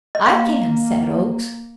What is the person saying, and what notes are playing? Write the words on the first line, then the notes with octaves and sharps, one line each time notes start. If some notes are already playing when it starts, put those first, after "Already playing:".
"I can," said Oakes.
D#5
A#3 F5